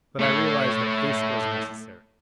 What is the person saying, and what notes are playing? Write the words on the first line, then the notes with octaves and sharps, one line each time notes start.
But I realized that haste was necessary.
A3 C#5